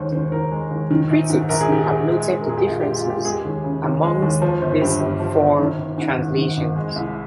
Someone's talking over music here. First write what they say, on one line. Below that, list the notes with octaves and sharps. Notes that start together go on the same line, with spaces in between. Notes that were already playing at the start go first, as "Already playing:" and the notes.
Critics have noted the differences amongst these four translations.
Already playing: D#2 G#3 C5 C#5
D#3 C5
D#2 A#4
G#3
D#2
D#3
A#1
G#2
A#1 A#4
G#4
D#3 G4
A#1 G#4
G#3
A#1
A#4
A#2 G#4
G4
A#1 F4
G4
G#3
F4
A#1 G4
G#3 G#4
G4
D#2 G#4
C#3
D#2
G#3
D#2
F3
G1 C5
G2 G4
G1 G4
F3
G1
D#3
G#1
G#2
G#1
D#3
G#1
G#3
C2